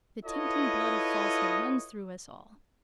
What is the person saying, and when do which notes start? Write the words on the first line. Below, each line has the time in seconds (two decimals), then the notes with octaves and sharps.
The tainting blood of falsehood runs through us all.
0.24 E4 F4 A4 B4 C#5 D#5